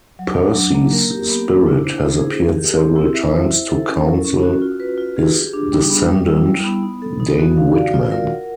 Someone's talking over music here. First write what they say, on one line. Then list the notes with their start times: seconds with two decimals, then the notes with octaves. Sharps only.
Percy's spirit has appeared several times to counsel his descendant, Dane Whitman.
0.19 F#3
0.38 D4
0.55 F#3
0.74 A#3
0.93 A#4
1.11 G4
1.29 B3
1.48 D4
1.67 E4
1.85 C5
2.03 E4
2.21 G#4
2.41 A#4
2.58 G4
2.77 C4
2.96 E4
3.14 E5
3.33 C5
3.50 E4
3.69 A4
3.87 C#4
4.06 A#4
4.25 C#4
4.43 F#4
4.62 F4
4.80 B4
4.98 F4
5.17 G#4
5.35 G4
5.53 D4
5.73 G3
5.90 B3
6.08 G3
6.28 E4
6.46 G3
6.64 B3
6.83 D#4
7.02 A4
7.20 D#4
7.38 F#4
7.56 F5
7.76 D5
7.94 F4
8.12 A#4
8.30 F#5